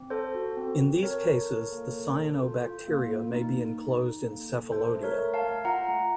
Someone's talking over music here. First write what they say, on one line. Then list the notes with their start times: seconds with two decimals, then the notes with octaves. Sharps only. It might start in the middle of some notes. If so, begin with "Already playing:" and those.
In these cases, the cyanobacteria may be enclosed in cephalodia.
Already playing: C4
0.10 A4 C5
0.35 F#4
0.57 C4
0.80 C4
1.03 A4 A#4 C#5
1.26 F4
1.49 A4
1.72 A#3
1.96 A4
2.19 A4
2.42 F4
2.65 F4
2.88 A#3
3.11 A#3
3.35 D#4
3.57 D#4
3.81 D#4
4.04 A4
4.27 A#3
4.49 A4
4.72 A3 A4 C5
4.96 A3
5.03 A#4 C#5
5.19 A3
5.34 F5 A5
5.42 A3
5.65 F4 F#5 A#5
5.88 A3